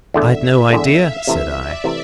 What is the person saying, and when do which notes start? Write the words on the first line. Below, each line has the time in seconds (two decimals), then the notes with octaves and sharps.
"I'd no idea," said I.
0.14 E2 D3 A3 E5
0.42 E5
0.70 E2 D3 A3 E5
0.99 F5
1.27 C3 E3 A3 E5
1.56 D5
1.84 C3 E3 A3